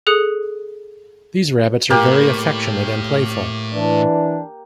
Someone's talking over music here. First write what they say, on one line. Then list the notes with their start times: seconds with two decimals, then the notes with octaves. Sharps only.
These rabbits are very affectionate and playful.
0.07 G#4 A4 D#6 F#6 C#7
1.90 A2 A#3 G4
3.73 E3 D4